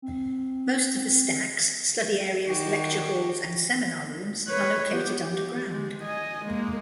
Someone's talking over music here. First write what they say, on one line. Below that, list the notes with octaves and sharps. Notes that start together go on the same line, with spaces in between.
Most of the stacks, study areas, lecture halls and seminar rooms are located underground.
C4
D#3 F#4 G4
B4 C#5
B3 G4
G4
G#3
D#5 G#5
G#3 A#3